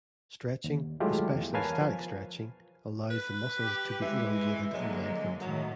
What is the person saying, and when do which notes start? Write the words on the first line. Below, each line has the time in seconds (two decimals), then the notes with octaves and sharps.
Stretching, especially static stretching allows the muscles to be elongated and lengthened.
0.64 D#2
1.00 F#3 G#3 A3 E4 F4 G4
1.35 E2
1.54 A#4 B4 C#5 F5 G#5 A5
1.81 F3
3.11 B4
3.60 G4
4.02 E3 G#3
4.74 D3 F#3 G#3 A#3
5.41 A2 D#3 F#3